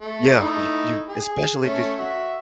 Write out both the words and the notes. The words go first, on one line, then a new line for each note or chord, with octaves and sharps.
Yeah, c you you especially if it's y
A3
A3 D#4 E4
G#4
A3 C#4
F#4 E5